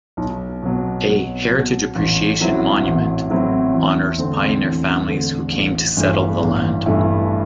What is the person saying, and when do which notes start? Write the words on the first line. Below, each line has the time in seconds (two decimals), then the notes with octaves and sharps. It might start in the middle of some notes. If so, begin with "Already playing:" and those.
A "Heritage Appreciation Monument" honors pioneer families who came to settle the land.
0.17 B1
0.62 B2 F#3
1.07 B1
1.51 B2 F#3
1.95 A1
2.39 A2 F#3 C4 E4
2.84 A1
3.30 A2 F#3 C4 E4
3.73 E2
4.18 D3 A3 C4
4.62 E2
5.07 D3 A3 C4
5.52 A1
5.97 G2 E3 A3 E4
6.41 A1
6.86 G2 E3 A3 E4